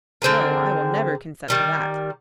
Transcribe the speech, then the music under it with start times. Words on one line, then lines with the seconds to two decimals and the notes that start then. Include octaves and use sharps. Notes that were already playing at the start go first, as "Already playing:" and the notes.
'No, I will never consent to that.'
0.22 D3 C4 G#4 A#4
1.48 D#3 G3 A#4